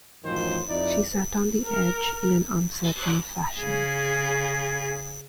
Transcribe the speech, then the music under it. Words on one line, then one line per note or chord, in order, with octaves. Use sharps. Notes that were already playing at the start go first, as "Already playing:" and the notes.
She sat on the edge in an uncertain fashion.
A1 F#2 D#3 F3 C5
F2 D#4 E4 D5
A#4
C#3 G#4